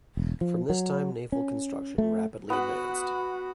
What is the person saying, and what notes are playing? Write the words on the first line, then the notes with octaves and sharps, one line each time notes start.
From this time naval construction rapidly advanced.
E1
F3
F#3
C#4
A3
B3 F#4 B5